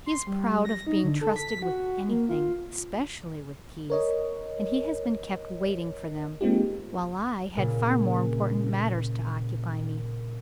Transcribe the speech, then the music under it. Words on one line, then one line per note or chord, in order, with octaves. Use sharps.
He is proud of being trusted with anything, especially with keys; and he has been kept waiting for them, while I had far more important matters to occupy me.
C6
G3
A#6
D#4
D3
A4
B6
F#4
A#3
F4
A#4 C#5 D#5
G#3 A#3 C4 D#4 F4 G4
A#2 C#3